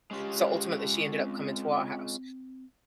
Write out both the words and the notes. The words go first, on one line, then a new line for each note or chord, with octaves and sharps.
so, ultimately, she ended up coming to our house,
G#3 C#4 F4 G4
C4